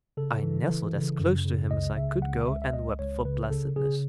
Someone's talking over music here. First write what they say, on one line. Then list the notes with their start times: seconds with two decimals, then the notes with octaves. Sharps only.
I nestled as close to him as I could go, and wept for blessedness.
0.17 C#3 A4
0.43 E3
0.68 E3
0.94 C#3
1.20 F#2
1.45 C#3
1.71 C#2 D#5
1.96 C#3 E5
2.22 C#2 F#5
2.47 C#2 E5
2.62 E5
2.73 C#2 D#5
2.99 C#2 C#5
3.25 C#3 B4
3.50 C#3 A4
3.76 C#3 G#4